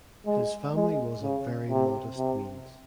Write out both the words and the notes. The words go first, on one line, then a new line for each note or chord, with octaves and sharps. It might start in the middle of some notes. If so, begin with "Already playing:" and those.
His family was of very modest means.
G#3
G#3
C#3
C3
C3